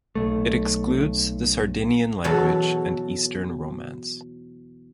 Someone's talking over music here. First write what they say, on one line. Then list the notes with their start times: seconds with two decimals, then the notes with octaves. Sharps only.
It excludes the Sardinian language and Eastern Romance.
0.15 B1 A3
2.24 E2 B2 F#3 A4